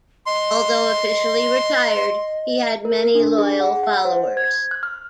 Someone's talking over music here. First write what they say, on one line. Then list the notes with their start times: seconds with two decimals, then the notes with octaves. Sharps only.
Although officially retired, he had many loyal followers.
0.26 D#5 C6
2.85 A#4
3.15 D4
3.38 G#4
3.60 F#5
3.83 F#5
4.05 C5
4.37 G#6
4.71 F#6
4.83 F6